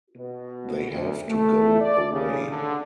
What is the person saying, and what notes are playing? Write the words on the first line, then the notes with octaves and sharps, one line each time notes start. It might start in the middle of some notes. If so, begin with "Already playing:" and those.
They have to go away.
B2
D2
A3
D5
C#3
D3